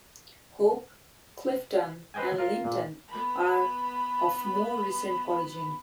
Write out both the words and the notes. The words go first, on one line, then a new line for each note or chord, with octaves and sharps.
Hope, Clifton, and Linton are of more recent origin.
B4 C5 D#5 G5 G#5
F4 A#4
A#2
B3 B5